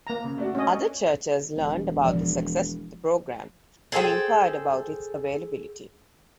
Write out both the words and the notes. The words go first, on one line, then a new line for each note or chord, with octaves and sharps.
Other churches learned about the success of the program and inquired about its availability.
A#3 A#5
C#3
A3 D4 F#4
C#4 D#5
E1
F3
G#4 A4 C5 G5